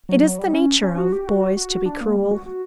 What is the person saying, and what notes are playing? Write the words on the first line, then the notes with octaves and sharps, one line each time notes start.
It is the nature of boys to be cruel.
F#3
F#3
G3
C#4
C#4
F#4
G4
F#4
F#4
D4
A#3
G3
F#4
F#4